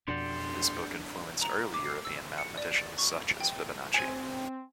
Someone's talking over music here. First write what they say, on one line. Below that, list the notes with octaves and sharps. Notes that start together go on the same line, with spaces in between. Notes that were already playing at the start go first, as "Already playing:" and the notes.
This book influenced early European mathematicians such as Fibonacci.
F2 B2 D4 G4 A4 D5 F#5 C6
A#5
D6
C7
E6
C#7
D5
A6
C#6
G5
C4 G#5